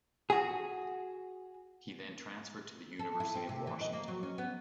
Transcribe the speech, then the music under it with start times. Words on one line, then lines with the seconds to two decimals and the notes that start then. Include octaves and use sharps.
He then transferred to the University of Washington.
0.30 F#4 G#4
2.99 A4
3.20 E4
3.35 C4
3.49 C3
3.67 E3
3.81 D#5
3.93 A#3
4.08 F#3
4.23 C#4
4.38 B3